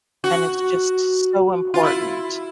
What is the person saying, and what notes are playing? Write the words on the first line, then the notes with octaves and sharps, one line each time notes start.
and it's just so important.
F#4
F4
E4